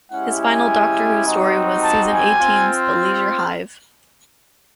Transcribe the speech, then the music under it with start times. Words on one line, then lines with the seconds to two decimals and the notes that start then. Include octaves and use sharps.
His final "Doctor Who" story was season eighteen's "The Leisure Hive".
0.11 G#3 C#4 E4 G4 F#5
0.40 G#5
1.25 G3 C4 D#4 F#4
1.82 A5
2.10 G#5
2.39 C4 F4